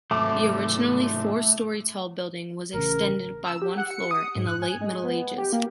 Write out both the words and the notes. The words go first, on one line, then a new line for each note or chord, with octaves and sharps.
The originally four-story tall building was extended by one floor in the Late Middle Ages.
G#2 C3 F#3 A3 D6
A1 C#3 A#4
E6
G4
F#5
C#7
D#6
G#2
F#6
G#5
G#3
B3
G4
A#3